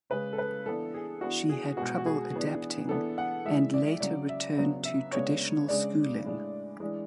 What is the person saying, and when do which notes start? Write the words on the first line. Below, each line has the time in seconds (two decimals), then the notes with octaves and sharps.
She had trouble adapting and later returned to traditional schooling.
0.10 C#3 G#3 C#4 B4
0.33 A4
0.38 B4
0.66 E3 B3 D4 A4
0.94 G#4
1.21 E3 B3 D4 F#4
1.49 G#4
1.77 B2 G#3 B3 F#4
1.98 F#4
2.06 G#4
2.33 E3 B3 D4
2.89 E3 B3 D4 A4
3.18 F#5
3.45 E3 G#3 D4 E5
3.74 D5
4.00 C#3 F#3 C#4 D5
4.29 E5
4.57 C#3 F#3 B3 D4
4.85 E5
5.12 C#3 G#3 B3 D4 C#5
5.68 C#3 G#3 D4 D5
6.25 A2 G#3 D4
6.80 E3 G#3 D4